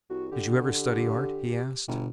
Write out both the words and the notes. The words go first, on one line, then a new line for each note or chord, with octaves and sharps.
"Did you ever study art?" he asked.
C2 F#4
D3 G4
G1 B2